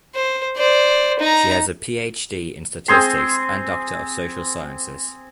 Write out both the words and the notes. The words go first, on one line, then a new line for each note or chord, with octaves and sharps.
She has a Ph.D in Statistics and Doctor of Social Sciences.
C5
C5 D5
D#4 A#5
C4 G#4 C6